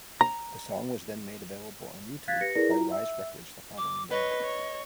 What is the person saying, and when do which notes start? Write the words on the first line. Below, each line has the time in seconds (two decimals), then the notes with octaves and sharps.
The song was then made available on YouTube by Rise Records the following day.
0.21 A#5
2.28 F5 F#6 G#6 A6 B6
2.41 G4 B4 A#6 C#7
2.55 E4 G#4 A#4 B4 D5 A#6
2.69 E4 F4 A#5
2.91 E5 E6
3.78 D6
4.10 B4 C#5 D#5
4.42 C#5